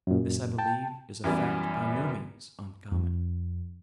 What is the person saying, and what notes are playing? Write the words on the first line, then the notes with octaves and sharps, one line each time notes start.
This, I believe, is a fact by no means uncommon.
F#2 A#2
G5 A5
F#2 E3 G3 B3
F2